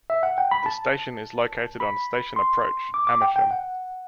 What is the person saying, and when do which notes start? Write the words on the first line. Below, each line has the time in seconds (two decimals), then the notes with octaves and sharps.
The station is located on Station Approach, Amersham.
0.10 E5
0.23 F#5
0.38 G5
0.51 B5
0.66 A5
1.80 B5
2.36 C6
2.94 D6
3.07 D6
3.22 G5
3.36 G5
3.51 F#5